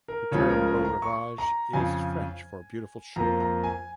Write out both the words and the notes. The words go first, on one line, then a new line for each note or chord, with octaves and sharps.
The term 'Beau Rivage' is French for 'beautiful shore'.
A#4
C#2 C#3 F3 G#3 C#4 C#5
A#4
A#4
A#5
C#6
A#5
F2 C#3 F3 G#5
F2 F3 A#3 A#5
A#5
G#5